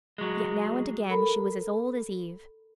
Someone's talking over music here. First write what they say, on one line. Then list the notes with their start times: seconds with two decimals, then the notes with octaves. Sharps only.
Yet now and again she was as old as Eve.
0.18 F#3 G#3
1.10 A4 A#4 A#5 B5